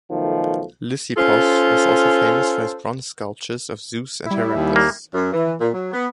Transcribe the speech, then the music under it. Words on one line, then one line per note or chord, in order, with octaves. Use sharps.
Lysippos was also famous for his bronze sculptures of Zeus and Herakles.
B1 D#3 F3 A3
C#4 F4 A4 C5
G3 E4
D#2
A#3
F#2
E3
A#2
F#3
B3